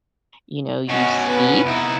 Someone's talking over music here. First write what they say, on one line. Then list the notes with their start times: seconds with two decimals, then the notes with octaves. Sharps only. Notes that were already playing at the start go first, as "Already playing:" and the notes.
you know, you speak
0.89 B2 C#4 F#4 D#5
1.29 B3 B4
1.66 C2 D#4 E4